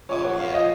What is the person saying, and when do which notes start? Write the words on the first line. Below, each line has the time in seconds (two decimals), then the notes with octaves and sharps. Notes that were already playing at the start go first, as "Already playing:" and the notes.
Oh, yeah.
0.09 A#2 F3 C#5
0.24 F#5
0.39 F5
0.53 A#2 F3 D#5